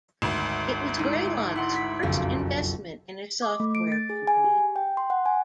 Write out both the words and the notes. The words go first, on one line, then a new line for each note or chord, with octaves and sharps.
It was Greylock's first investment in a software company.
G#1 D2
G#3 D#4 E4
E4 F#5 C6
B5 G#6 B6
F#1 B1 F2
D6
A3
D7
A6
G#4
G#5
G4
G5
C6
F#5
G#5